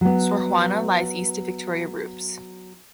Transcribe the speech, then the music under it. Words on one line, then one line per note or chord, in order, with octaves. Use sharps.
Sor Juana lies east of Victoria Rupes.
F#3 B3